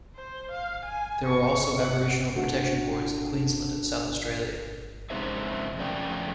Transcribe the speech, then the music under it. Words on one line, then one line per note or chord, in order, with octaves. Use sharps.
There were also Aboriginal Protection Boards in Queensland and South Australia.
C5
F5
G#5
C#6
F#5
D3 A3 F#4
C#3 G#3 C4 D#4 C5 E5
F2 D3 A3 C#4 D5 G5